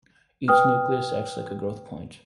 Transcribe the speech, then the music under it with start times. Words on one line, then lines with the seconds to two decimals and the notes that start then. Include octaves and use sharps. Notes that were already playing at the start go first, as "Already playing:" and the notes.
Each nucleus acts like a growth point.
0.48 B4 G5 D#6 F6